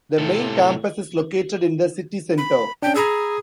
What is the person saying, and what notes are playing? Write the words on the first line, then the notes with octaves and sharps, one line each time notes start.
The main campus is located in the city centre.
A2 C3 A4
B5
C#4 D4 G5
G#4 A#5 B5 E6